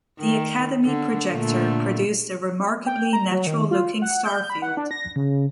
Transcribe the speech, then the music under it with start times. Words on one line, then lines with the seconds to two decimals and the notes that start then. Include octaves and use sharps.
The Academy Projector produced a remarkably natural-looking star field.
0.19 D#3
0.85 D3
1.32 A#2 D3 A3
2.86 G5
3.13 A#5
3.31 F#3
3.47 D#3
3.71 F4
4.02 F#5
4.25 G6
4.50 B5
4.62 F#5
4.77 D4
4.91 A#6
5.16 C#3